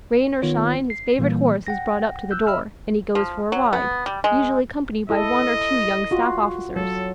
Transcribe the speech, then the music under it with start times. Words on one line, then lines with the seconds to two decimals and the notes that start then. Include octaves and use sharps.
Rain or shine, his favorite horse is brought up to the door, and he goes for a ride, usually accompanied by one or two young staff-officers.
0.42 D#3 B3 F4 C#5
0.90 C7
1.19 A#2 E3 G3 A#3
1.67 F#5 G5 A#6
2.31 E6 F#6 G6
2.47 D#5 E5 B5 E6 F6
3.15 F3
3.52 F#3
3.73 B3
4.06 G3
4.24 G#3
5.10 E4 A4 D#5
6.11 F4 F#4
6.76 F#3 A4